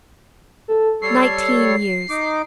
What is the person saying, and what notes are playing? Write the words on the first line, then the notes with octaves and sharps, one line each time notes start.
Nineteen years.
A4
G3 A4 C#5 C7
D#4 D6